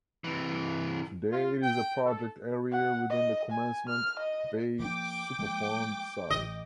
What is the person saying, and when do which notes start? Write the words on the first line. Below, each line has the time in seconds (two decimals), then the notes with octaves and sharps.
Today it is a project area within the Commencement Bay Superfund site.
0.24 C3 E3
1.32 F4
1.63 G5
2.06 A4
2.72 F#5
3.10 D#5
3.52 G#5
3.89 F6
4.19 D#5
4.80 F3 A#3 G5 D6
5.39 F3 G#3 A#3
6.30 A1 D#5